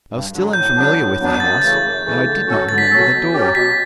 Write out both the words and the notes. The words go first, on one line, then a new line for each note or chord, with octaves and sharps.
I was still unfamiliar with the house, and I did not remember the door.
G2
D3 F#3
A2 G6
F#3 B3 D4
A2
F#3 B3 D4
G6
F#2 A6
C#3 E3 A3 A6
F#2
C#3 E3 A3
D3
F#3 C#4 F#4 A4
D3 A6
B6
F#3 C#4 F#4 A4 A6
B2
F#3 C#4 G4
B2 B6